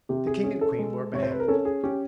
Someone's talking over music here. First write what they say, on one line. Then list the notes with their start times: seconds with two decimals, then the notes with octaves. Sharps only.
The king and queen were beheaded.
0.09 C3 G4
0.27 G#4
0.43 C#4 G#4
0.61 A4
0.79 G#3
1.13 C3 C#5
1.23 C5
1.32 B4
1.40 A#4
1.48 C#4 A4
1.65 G#4
1.84 C#4 G4